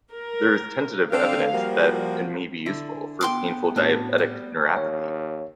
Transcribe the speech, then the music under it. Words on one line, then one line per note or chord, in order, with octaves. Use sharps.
There is tentative evidence that it may be useful for painful diabetic neuropathy.
A#4
D3 C4 D4 A4 F5
F3 G3 A#3 F#4
D3 E4
B3 G5 C6 D6
A2 C4 D4 F#4 C#5 A5
G3
D#2 C#5